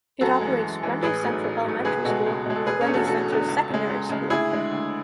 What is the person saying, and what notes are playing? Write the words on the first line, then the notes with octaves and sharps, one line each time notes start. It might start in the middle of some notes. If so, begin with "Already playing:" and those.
It operates Grundy Center Elementary School and Grundy Center Secondary School.
F#2 F#4 A4
E3 G#3
F#2
E3 G#3
A1 G#4 B4
G#2 F#3 A3
A1
G#2 F#3 A3
C#2 G#4 B4
B2 G#3 F#4 A4
C#2
B2 G#3
A4
E1 G#4 B4
C#4
E2 D3 A3
F#4 A4
E1 F#4 A4
E2 D3 A3
C#2
C#3 G#3
C#2
C#3 G#3
D2 E4 G#4
D3 G#3
D2